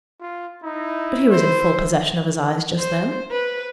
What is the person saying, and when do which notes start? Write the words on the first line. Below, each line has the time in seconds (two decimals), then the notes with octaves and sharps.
"But he was in full possession of his eyes just then?"
0.21 F4
0.64 D#4 E4
1.31 C5
2.79 C5
3.31 B4